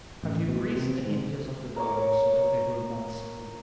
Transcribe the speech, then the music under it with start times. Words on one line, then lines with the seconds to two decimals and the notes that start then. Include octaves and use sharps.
"Have you greased the hinges of the door so that they will not squeak?"
0.23 A1
0.49 B2
0.75 C3
1.05 G#2
1.76 A#4 C#5 C#6 D6